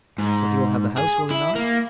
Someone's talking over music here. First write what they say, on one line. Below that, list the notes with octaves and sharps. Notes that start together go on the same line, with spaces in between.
"But he will have the house, will he not?"
G#2
G#4
E4
A#3